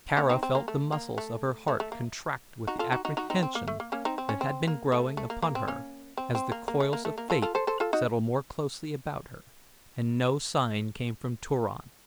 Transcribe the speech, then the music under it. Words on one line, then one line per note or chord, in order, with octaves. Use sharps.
Tara felt the muscles of her heart contract with the apprehension that had been growing upon her as the coils of Fate settled more closely about her and no sign came from Turan.
A#3 C#4
C4 D#4
C4
A#3
A3
A#3
A3
A3
A3
A#3
D#4 F#4
F4 A4
D#4 F#4
D#4 F#4
D#4 F#4
C4 D#4
C4
A#3
A3
A#3
A#3 C#4
C4 D#4
C4
C#4
C4
A#3
A3
A3
A#3
A#3
C4
A#3 C#4
C4
C4
A#3
A#3
A3
A#3
A3
A#3
F4 A4
F4 A4
A4 C5
A4 C5
F4 A4
D#4 F#4